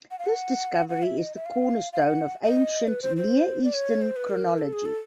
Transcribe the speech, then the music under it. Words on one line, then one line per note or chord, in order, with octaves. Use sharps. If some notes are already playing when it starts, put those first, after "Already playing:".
This discovery is the cornerstone of ancient Near Eastern chronology.
F#5
F5
F#5
F#5
E5
D#5
E5
F5
F5
F#5
D#5
B4
C5
C5
D5
C#5
C5
B4
A#4
A4
G#4
A4